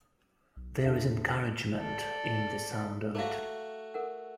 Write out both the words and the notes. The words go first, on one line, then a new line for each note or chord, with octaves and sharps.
There is encouragement in the sound of it.
B1
E2 D3 A4 E5
A4 D5
A3 F#4 F5 A#5 D6
A4 A#4 F#5